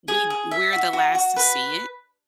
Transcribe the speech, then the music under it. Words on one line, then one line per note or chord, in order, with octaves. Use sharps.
we we're the last to see it?
G#4
G#4
E5
F#4
F#4
F#4
B4